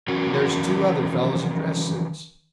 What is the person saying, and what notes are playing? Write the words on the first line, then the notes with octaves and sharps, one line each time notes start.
And there's two other fellows in dress suits.
D#3 E3 F#3 C#4 F#4 A#4